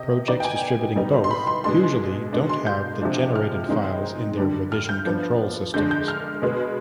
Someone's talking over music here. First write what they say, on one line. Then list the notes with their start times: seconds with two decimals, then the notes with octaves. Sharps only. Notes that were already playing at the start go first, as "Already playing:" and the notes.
Projects distributing both usually don't have the generated files in their revision control systems.
Already playing: C3 D#5
0.28 D#3 B3 D#4 D5
0.40 G5
0.45 G#5
0.96 B2 G3 B3 D#4
1.24 C6
1.31 B5
1.47 C6
1.64 B2 G#3 D4 C6
2.33 B2 G#3 D4
2.49 C6
2.67 G6
3.02 C3 F3 G#3 D4
3.36 F6
3.69 D#3 G#3 C4 D#4
4.37 D3 G3 D4
4.72 F6
4.89 G6
5.06 F3 B3 D4
5.74 D3 G#3 D4 G6
5.91 G6
6.08 F6
6.42 B2 G#3 B3